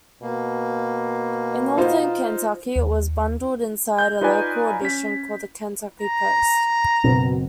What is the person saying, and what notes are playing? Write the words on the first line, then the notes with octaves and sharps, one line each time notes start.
In Northern Kentucky, it was bundled inside a local edition called The Kentucky Post.
B2 A#3
D#4 F4 C5
D#2
G6
D#4 F4 B4 C#5 D5 G#5
C#4 B6
A#5
F#1 B2 C4